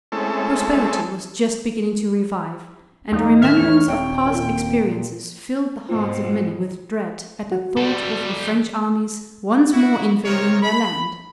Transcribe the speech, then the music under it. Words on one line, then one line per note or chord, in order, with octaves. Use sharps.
Prosperity was just beginning to revive, and a remembrance of past experiences filled the hearts of many with dread at the thought of the French armies once more invading their land.
G#3 A3 C4 C#4 E4 A4
E2 A#3 D#4
A2 D#3 E5 F6
E2 E3 A3 C#5
D#1 C4 G5
A#2
G#2 B2 C4 F4
F#4
G3 A4
E4 F#4
C3 D#3 A#4 C#5
B5